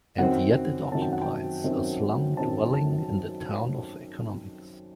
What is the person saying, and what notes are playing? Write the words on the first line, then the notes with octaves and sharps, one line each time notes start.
And yet it occupies a slum dwelling in the town of economics.
F#2 D#3 F#3 C4 F#5
F#2 D#3 F#3 C4 A5
G5
F#5
G5
F#2 D#3 F#3 C4
F#2 D#3 F#3 C4 A5
A5